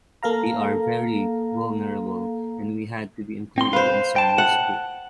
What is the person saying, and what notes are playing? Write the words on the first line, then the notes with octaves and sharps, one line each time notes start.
We are very vulnerable and we had to be included in some risk group.
A#3 A4 F5 A#5
C4 C6
B4 C5 F5
G5 A5
F#5